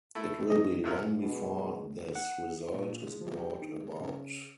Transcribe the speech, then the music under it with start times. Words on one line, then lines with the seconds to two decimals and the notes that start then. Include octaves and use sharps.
It will be long before this result is brought about.
0.15 A3 E4
0.50 D#5
0.84 B1 C3 A#4 E6
1.21 B2 G#3
2.15 F#5
2.72 A#2
3.02 G#3
3.21 F3
3.37 G4
3.61 D#3
3.83 G#3
4.00 C#3